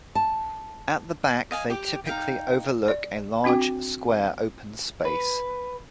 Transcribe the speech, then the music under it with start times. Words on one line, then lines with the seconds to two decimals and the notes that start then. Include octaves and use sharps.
At the back they typically overlook a large square open space.
0.15 A5
1.51 D#5 F5 G#5
1.70 G4 G5 D6
2.07 D#4 F5 G5
2.88 D5
3.44 C4 D4 F#4 G5 D6
5.05 B4